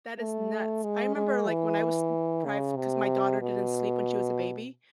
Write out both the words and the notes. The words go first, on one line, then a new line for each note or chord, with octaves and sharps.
That is nuts. I remember, like, when I was sleep-deprived, 'cause my daughter didn't sleep when she was a baby
A3
G#3
G#3
E3
C#3
C3
B2